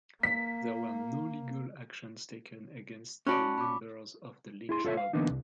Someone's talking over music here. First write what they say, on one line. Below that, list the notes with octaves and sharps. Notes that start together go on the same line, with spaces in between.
There were no legal actions taken against the members of the lynch mob.
A#3 B6
C#4 F#4 D5 A5 B5 F#6
B5 D6
E4 G#4 C6
F4 A4 C#5 E5
F5
D3 E3 A#3 B3 D4 D#4
C2